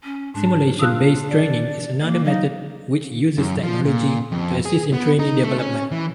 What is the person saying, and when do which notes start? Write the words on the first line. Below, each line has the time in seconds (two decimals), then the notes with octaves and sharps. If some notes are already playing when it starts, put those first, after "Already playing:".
Simulation based training is another method which uses technology to assist in trainee development.
0.04 C#4
0.34 G#2 G#3 D4 A5
0.79 F4 D#6 E6 F#6
1.30 D5
2.01 A#3
2.25 F#3 D#4 D#5 F5
3.38 F#2
3.63 F3
3.85 A#2
4.32 F2
4.65 G#4
4.93 B3
5.19 D#4
5.43 A3
5.58 C#4
5.92 E3